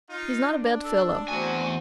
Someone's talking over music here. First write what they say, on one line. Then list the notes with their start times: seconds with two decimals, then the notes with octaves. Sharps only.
He's not a bad fellow.
0.10 D#4 F4
0.52 D4
0.85 A4
1.28 E2 F#3 A3 C4 F#4 G#5